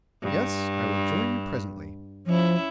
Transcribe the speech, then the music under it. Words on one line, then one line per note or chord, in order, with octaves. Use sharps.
"Yes, I will join you presently."
G2
F3 C#4 E4